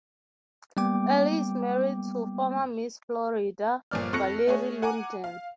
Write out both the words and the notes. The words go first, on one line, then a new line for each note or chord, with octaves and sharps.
Ely is married to former Miss Florida, Valerie Lundeen.
G3 A#3 B3 G5 D6
G1 A#2 F3 D5 F6
F2 A4 C#6 F#6 A#6 C#7
A3 G#4 C#5
F#5 G#5 A#5 D6
F5